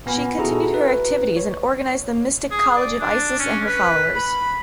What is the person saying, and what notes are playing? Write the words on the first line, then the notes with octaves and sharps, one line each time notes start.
She continued her activities and organized The Mystic College of Isis and Her Followers.
A#2 B3 G#5 B5
E4 F#4 G#4 A4 A#5
B4
C#5
G#4
D5
D4
C#4
B4
B5